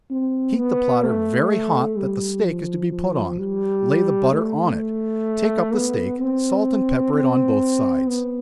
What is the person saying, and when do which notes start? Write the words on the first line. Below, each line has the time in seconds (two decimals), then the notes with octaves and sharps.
Heat the platter very hot that the steak is to be put on, lay the butter on it, take up the steak, salt and pepper it on both sides.
0.10 C4
0.57 B3
1.03 A3
1.98 G3
2.45 F3
2.91 F3
3.39 G3
4.32 A3
5.73 B3
6.20 C4
7.14 C4
8.07 B3